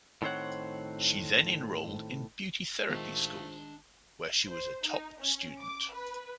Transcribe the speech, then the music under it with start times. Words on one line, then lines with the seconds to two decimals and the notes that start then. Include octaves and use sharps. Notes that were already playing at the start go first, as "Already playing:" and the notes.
She then enrolled in beauty therapy school, where she was a top student.
0.22 A2 D#3 C4 C5 C#5 F#5
2.89 D#3 G#3 A3 D4 F4 C5 F5 A5
4.48 C5
4.85 D#4
5.19 C#4
5.60 D6
5.91 B4